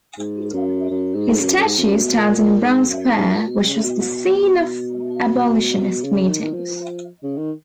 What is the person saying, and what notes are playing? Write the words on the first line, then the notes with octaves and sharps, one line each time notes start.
His statue stands in Brown Square, which was the scene of abolitionist meetings.
G#2
F#2
F#2
G#2
F#2
F#2
G#2
F2
F#2
B2
A#2
A#2
G#2
F#2
G#2
A#2
B2
C#3
B2
C#3
D#3
D#3
F3
C#3
D#3